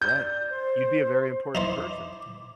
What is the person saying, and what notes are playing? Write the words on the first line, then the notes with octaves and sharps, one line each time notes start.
Right, you'd be a very important person.
D5 G6
C5
D#4 E4 C5 D6